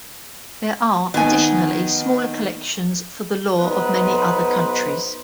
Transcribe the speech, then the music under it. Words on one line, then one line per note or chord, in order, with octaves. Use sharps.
There are, additionally, smaller collections for the law of many other countries.
D#3 B3 G#5
B1 B3 D#4 B4 C5